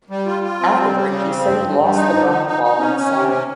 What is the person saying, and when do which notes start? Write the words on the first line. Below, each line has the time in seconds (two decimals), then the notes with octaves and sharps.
Afterward, he said he lost the ground ball in the sun.
0.10 G3
0.27 F4
0.43 F4
0.60 C4
0.77 G3
0.94 G3
1.11 C#3
1.28 C4
1.45 G2
1.62 G2
1.79 G2
1.95 D#4
2.13 F3
2.29 D#4
2.46 D#4
2.63 D#4
2.80 C#4
2.97 C#4
3.13 C3
3.30 C#4